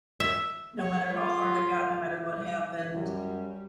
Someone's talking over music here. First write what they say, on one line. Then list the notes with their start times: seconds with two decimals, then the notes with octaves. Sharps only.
no matter how hard it got, no matter what happened,
0.20 E5
0.79 C#5
1.13 F4
2.94 F#2 G3